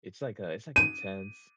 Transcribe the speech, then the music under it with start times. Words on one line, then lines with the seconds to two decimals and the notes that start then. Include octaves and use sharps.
it's, like, a it's like intense,
0.76 D#7